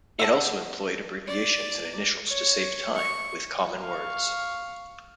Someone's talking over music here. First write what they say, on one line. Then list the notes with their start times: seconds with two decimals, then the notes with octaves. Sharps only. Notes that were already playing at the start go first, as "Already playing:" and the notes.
It also employed abbreviations and initials to save time with common words.
0.19 E5 F#5 A5
1.27 D5
2.27 C#5
2.95 C#6
3.81 F5 C#6